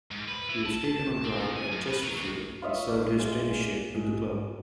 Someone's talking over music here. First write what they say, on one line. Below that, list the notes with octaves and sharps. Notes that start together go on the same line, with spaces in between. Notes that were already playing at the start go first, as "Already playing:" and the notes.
He was taken on trial at Chesterfield and served his traineeship with the club.
G#2
B4
E3
A5
A5
C4
C3
G#5
F#2
B4
F#3
D#2
F4 C#5 D#5 E5
D5
G#3
G#2